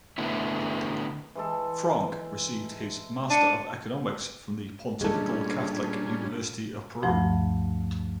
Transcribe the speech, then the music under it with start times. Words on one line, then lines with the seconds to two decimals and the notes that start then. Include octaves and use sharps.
Francke received his Master of Economics from the Pontifical Catholic University of Peru.
0.18 D3 A3 B3 E4
1.35 E3 G#3 A4
3.30 D4 A5 C#7 D#7
5.01 A#2 G3 G#3 C#4 D4 A4
7.03 D2 G2 F3 A3